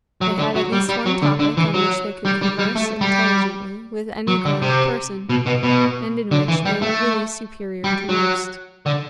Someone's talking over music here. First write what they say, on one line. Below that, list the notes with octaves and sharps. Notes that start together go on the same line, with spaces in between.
They had at least one topic on which they could converse intelligently with any grown-up person, and in which they were really superior to most.
F#3
D3
F#3
G3
G3
F#3
D3
D3
E3
F#3
G3
G3
G3
A3
G3
F#3
D3
C3
B2
B2
B2
D3
E3
G3
A3
G3
F#3
D3